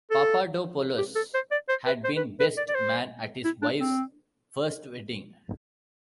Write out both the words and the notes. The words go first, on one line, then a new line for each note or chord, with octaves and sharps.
Papadopoulos had been best man at his wife's first wedding.
A4
G4
A4
C5
D5
C5
B4
C5
B4
B4
D5
D5
C5
E4
D4
C4